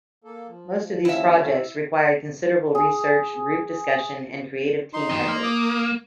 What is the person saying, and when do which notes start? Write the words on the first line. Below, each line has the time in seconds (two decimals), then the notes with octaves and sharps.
Most of these projects required considerable research, group discussion, and creative team effort.
0.24 A#3 A4
0.48 F3
1.05 D#2 F3 C#4 E4 E5
2.75 G#4
4.93 D#4 C6
5.10 G4 D#5
5.28 A#3
5.43 D6 D#6